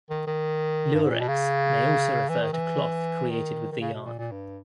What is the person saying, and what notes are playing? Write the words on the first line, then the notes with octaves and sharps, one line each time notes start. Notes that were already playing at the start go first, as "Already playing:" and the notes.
"Lurex" may also refer to cloth created with the yarn.
D#3
D#3
G2
G#2
A#2
B2
C#3
E3
D#3
E3
D#3
D#3
C#3
B2
A#2
A#2
G2